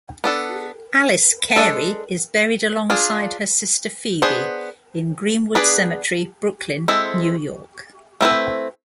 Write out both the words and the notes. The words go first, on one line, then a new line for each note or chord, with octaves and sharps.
Alice Cary is buried alongside her sister Phoebe in Green-Wood Cemetery, Brooklyn, New York.
B3 D4 A4
G#3 D4 A4
D4 F4 G#4
B3 D4 G#4 C5
B3 D4 G#4 B4 D5
G#3 C4 E4 A4
A3 C4 E4 B4